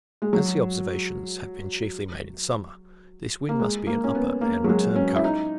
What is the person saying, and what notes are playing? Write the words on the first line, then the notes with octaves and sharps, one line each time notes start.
As the observations have been chiefly made in summer, this wind must be an upper and return current.
G#3
F#3
A#3
G#3
A#3
C#4
B3
A#3
F#3
G#3
C#4
E4
D#4